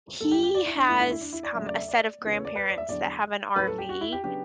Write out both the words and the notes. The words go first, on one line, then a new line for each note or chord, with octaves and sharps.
He has, um, a set of grandparents that have an RV,
F#2 D3 G3 A4
G4
G4
D5
E4
D4
G2 D3 A3 C#4 E4
E4
E4
D4
E4
D5
D2 C#3 F#3 E5
D5
E5
D5
C#3 E3 B3
C#5
D5
B4
D5
E5
E2 D3 F#3 D5
A2 F#3 C#4 B4
A4
G4
F#4
E4
G4
C#3 F#3 B3 D4 G4